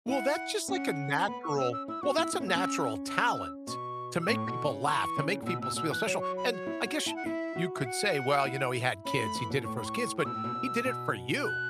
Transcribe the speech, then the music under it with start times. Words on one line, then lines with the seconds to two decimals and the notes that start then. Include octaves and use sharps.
Well, that's just like a natural well, that's a natural talent to make people laugh, to make people feel special and I guess y you could say, well, you know, he had kids, he did it for his kids, but he did it for you.
0.09 E4 F#5
0.68 C#4 F#5
1.24 A5
1.28 B3 B5
1.43 C#6
1.58 C#4 E6
1.73 E6
1.88 E4 E6
2.02 F#4 C#6
2.15 E4 E6
2.33 E4
2.40 C#4
2.48 B3 E6
2.55 C#4
3.08 E6
3.67 B2 C#6
4.22 E6
4.27 A2 C#6
4.47 B2
4.67 C#3
4.86 E3 C#6
5.17 C#3
5.42 A2
5.46 B2 E6
5.62 B2 E6
5.76 B2 E6
5.91 E3 F#6
6.07 F#3
6.21 C#6
6.37 B5
6.51 C#5
6.67 E4
6.86 F#4
7.06 E4 A5
7.16 F#5
7.26 E4 E5
7.56 F#4
7.75 E5
7.86 F#5
8.45 E4
9.05 C#4 B5
9.20 A3
9.35 E3
9.50 B2
9.65 A2 C#6
9.76 B5
9.86 C#6
10.19 C#6
10.25 B2 E6
10.34 A2
10.44 B2
10.55 B2
10.85 B2
11.44 F#6